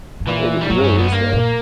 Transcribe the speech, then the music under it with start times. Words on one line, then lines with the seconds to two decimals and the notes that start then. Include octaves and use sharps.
It it really is though,
0.20 G2
0.27 A#2 E3
0.61 G3
0.69 F#2 F#3
0.79 G2
0.84 F#2 C#4
0.98 B3
1.12 G2 A#3
1.33 A#2